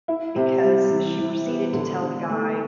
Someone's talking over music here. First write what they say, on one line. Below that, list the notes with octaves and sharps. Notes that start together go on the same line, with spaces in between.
because she proceeded to tell the guy,
E4
C3
G3
E3
E3
B3
D3
D3
A3